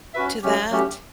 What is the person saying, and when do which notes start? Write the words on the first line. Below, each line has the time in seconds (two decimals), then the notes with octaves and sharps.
to that.
0.14 C#4 F#4 B4 E5
0.43 F#3 A3 C#4 G4
0.71 F#3 A3 C#4 G4